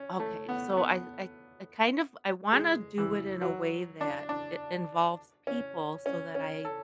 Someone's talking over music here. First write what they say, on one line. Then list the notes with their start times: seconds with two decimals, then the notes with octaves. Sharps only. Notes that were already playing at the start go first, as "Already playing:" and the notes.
Okay, so I I I kind of I wanna do it in a way that it involves people so that I
Already playing: C#4
0.20 A3
0.49 B3
0.77 B3
2.53 G#3
2.98 E3
3.41 F#3
4.01 D4
4.29 D4
5.47 C#4
6.06 C#4
6.35 C#4
6.65 A4